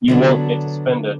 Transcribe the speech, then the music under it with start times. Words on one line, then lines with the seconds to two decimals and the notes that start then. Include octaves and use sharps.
You won't get to spend it.
0.08 D3 F#3 B3 D4